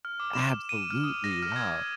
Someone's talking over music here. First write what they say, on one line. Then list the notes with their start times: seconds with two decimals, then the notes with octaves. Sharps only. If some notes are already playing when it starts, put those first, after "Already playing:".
Absolutely, wow.
0.05 F6
0.20 D6
0.33 E7
0.69 D#7
0.91 F6
1.03 D#6
1.24 A#6
1.42 F6
1.56 G#6